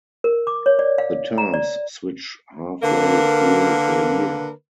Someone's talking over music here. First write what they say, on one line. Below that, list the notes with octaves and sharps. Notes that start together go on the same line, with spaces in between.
The terms switch halfway through the year.
A#4
D6
C#5
D5
F5
A#5
D5
D3 A#3 A#4 B4